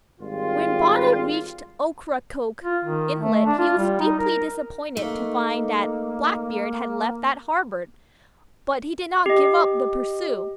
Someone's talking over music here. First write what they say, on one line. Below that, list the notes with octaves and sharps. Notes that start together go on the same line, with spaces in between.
When Bonnet reached Ocracoke Inlet, he was deeply disappointed to find that Blackbeard had left that harbor, but he did not give up the pursuit.
G#1 G3 F4
F4
D#3
A3
D4
F4
G3
D#4
A#4
A3 A#3 D#4
G4 D#5